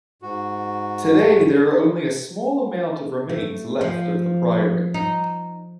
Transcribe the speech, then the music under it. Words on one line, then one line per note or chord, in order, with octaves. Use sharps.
Today, there are only a small amount of remains left of the priory.
G#2 F#4
A3
F3
D#4